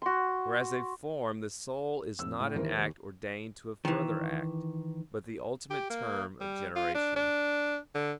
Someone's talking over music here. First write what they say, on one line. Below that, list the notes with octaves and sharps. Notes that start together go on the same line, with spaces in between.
For as a form the soul is not an act ordained to a further act, but the ultimate term of generation.
F#4 C6
F1 E6
A2
D#2 E3 A#4 C5
D#2
D#3 E3
G4
A#3
G3
F4
D4
D4
D3